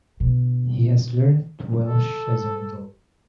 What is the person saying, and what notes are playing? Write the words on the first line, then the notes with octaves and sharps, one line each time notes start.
He has learnt Welsh as an adult.
B2 D3
A4